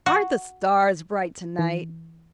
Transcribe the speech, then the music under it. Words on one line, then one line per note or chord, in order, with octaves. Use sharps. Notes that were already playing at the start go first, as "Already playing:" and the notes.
Aren't the stars bright tonight?
F#4
E3